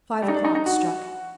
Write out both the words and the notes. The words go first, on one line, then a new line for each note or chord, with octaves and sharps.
Five o'clock struck.
G3
D#4
D4
D#4
D#4
F#4